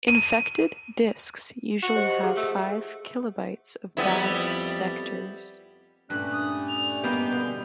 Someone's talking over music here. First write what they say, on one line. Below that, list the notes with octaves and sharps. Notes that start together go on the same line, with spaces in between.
Infected disks usually have five kilobytes of bad sectors.
D#7
F#4
G4 C5 D#5
F3 G#4 F#5
A3
F2 G3 B3 E4
G2 A#2 G3 A3 C#4 F#6
D#6
F7
D#3 G3 A#3 B3 C#4 F#4 B4 G6
B2 D3